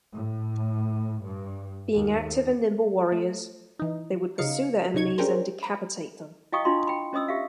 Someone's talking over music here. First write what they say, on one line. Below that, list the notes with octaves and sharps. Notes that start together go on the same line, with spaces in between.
Being active and nimble warriors, they would pursue their enemies and decapitate them.
A2
G2
D#2
A3
E3 D#4
C#3 D#4 F5 C#7
C2 C#3 D#4 C#6 G#6
C#4 D4 G4 G#4 A#4 C5
A#5 B5
E4 D#5 F5 G5 C#6 D#6
D4 E4 F4 C6
G5 B5
C#4 C5 D#5 D#6 E6
G4 E5 F5